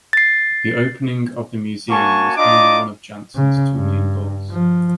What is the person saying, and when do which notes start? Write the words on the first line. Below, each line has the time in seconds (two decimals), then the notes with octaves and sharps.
The opening of the museum was only one of Jansen’s two main goals.
0.13 A6 C7
1.89 A#3 C#4 F#4 G#5 A5 C#6
2.36 D4 D#4 F4 D#5 D6
3.35 C#3
3.73 G2
4.51 F3